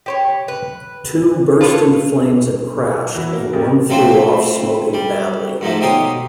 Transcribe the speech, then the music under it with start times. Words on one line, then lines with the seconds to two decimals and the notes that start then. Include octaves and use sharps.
Two burst into flames and crashed, and one flew off smoking badly.
0.06 G4 C5 C#5
0.48 B4
1.61 F4 A4 B4 C#5
3.15 E3 E4 F#4
3.33 A#3
3.53 A1 A#3 G4
3.90 F#3 A3 C4 F4 C5 E5
4.93 G3
5.61 G#2 F3 F#3 A3
5.81 B2 D#4 G4 C#5 C6 D#6